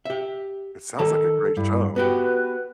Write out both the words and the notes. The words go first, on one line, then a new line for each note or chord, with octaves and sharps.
It sounds like a great show.
G4 E5
D#3 A4 A5 A#5
G2 E4
B3 F#4 G4 B4